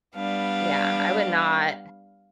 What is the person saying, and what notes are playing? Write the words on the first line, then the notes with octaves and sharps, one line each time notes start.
Yeah, I would not
G3 B3 D4 F5